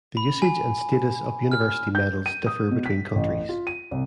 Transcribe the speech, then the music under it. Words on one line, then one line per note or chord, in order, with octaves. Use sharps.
The usage and status of university medals differ between countries.
B5
G#5
F6
G6
D#7
D#6
B2
B6
A1
F4
D#7
C2